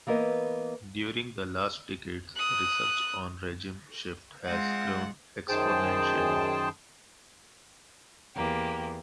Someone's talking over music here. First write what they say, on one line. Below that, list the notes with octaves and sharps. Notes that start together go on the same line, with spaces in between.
During the last decades, research on regime shift has grown exponentially.
E3 A#3 B3 A#4 D#5
D#6 F#6
G#3 C4 F4 F#5
F#2 D#3 G#4 C5 G5 A5
E2 A#3 G4